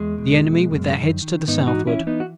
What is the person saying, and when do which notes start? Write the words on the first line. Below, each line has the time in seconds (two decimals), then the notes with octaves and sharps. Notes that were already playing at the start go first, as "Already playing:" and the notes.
The Enemy with their heads to the southward.
Already playing: E2 G#3
0.18 B2
0.44 B2
0.70 F#2
0.96 D#3
1.22 D#3
1.47 G#2 B3 D#4
1.67 D#4 F#4
1.73 E3
1.87 C#4 E4
1.99 E3
2.07 B3 D#4
2.20 F#4